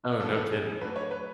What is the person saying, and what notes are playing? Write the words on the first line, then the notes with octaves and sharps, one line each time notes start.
Oh, no kidding.
E3 B3 D4 A4
A4
G#4
F#3 A3 D4 B4
C#5
B4